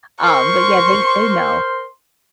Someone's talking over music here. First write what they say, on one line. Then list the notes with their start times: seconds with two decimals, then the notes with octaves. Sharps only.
Um, but, yeah, they they know.
0.22 A#4 C5 C6 C#6